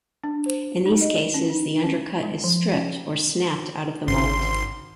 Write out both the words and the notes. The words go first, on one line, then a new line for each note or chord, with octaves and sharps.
In these cases the undercut is stripped or snapped out of the mold.
D4
C5
D#4
D#5
C#4
D#4
C#4
G#3
F3
C#4
G#1 C6